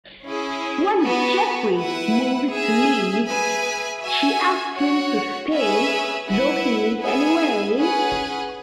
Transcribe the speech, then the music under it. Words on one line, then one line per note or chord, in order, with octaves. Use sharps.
When Jeffrey moves to leave, she asks him to stay, though he leaves anyway.
C#4 E4 G#4
B3 F#4 B4
E4 B4 F#5
G#4 E5 G#5
G#4 B4 E5 G#5
F#4 E5 G#5
F#4 C#5 F#5
C#4 G#4 B4 E5
E4 B4 F#5
B3 G#4 E5 G#5
C#4 G#4 B4 F#5